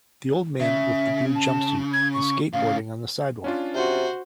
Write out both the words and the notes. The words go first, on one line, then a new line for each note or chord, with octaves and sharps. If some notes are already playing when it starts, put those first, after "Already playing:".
The old man with the blue jumpsuit is skateboarding on the sidewalk.
C#3 E5
A5
G#6
C#6
A2 C#3 F5
C#4 D4 F4
C3 F#4 C5